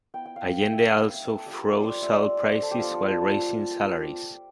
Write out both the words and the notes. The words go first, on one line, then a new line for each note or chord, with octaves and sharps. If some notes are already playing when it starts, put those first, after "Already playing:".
Allende also froze all prices while raising salaries.
B3 E4 G5
G5
F5
G5
E5
F5
F5
F5
E5
E5
A4
G3 D4 F4 G4
B4
C5 D5
C5 D5
E5
E5
C5
A4
G4
F3 B3 D4 F4
A4